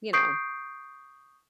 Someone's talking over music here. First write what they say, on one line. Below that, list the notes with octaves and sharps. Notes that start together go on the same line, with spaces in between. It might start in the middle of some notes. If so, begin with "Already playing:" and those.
you know.
C#6 D#6 G6 C7 D7